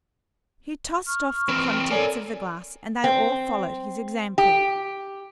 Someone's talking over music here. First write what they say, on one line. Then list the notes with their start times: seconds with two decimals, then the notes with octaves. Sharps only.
He tossed off the contents of the glass and they all followed his example.
1.06 C#6 F6
1.49 E3 C4
1.91 A4 A#4 C#5 D5 G#5
3.04 C4
4.38 G4